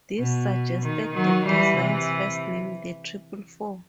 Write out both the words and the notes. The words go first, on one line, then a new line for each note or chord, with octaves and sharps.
This suggested the design's first name, the Triple-Four.
B2
D#3
D#3 F#3
E3 G3
C3 E3